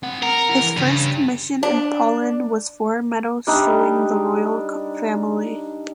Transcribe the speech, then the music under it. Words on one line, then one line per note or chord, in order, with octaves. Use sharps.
His first commission in Poland was four medals showing the royal family.
C4 F#5
A#4 F#5
E2 E4
E3
G2 C#3
D4
G3 D4 D#4